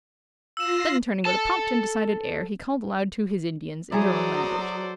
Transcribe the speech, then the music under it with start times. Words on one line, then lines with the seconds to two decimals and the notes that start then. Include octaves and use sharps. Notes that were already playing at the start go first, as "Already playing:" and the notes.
Then, turning with a prompt and decided air, he called aloud to his Indians, in their own language.
0.57 F4 E6 A#6 C7 E7
1.25 A4 A5
3.92 F#3 E4 G#4 A4 C5 D5 A#5 D#6